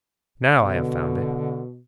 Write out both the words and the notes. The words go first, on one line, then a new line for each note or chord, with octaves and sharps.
'Now I have found it.
B2 D3